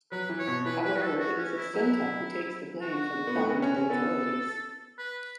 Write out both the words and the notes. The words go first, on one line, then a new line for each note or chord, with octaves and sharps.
However it is Assunta who takes the blame for the crime to the authorities.
F#3 B4
E3
C#5
B2
E3 B4
B4
F#4
A4
F#4
C#4
E4
F#3 E4
F#4
B3
A3
B3
C#4
C#4
B3 A4
B4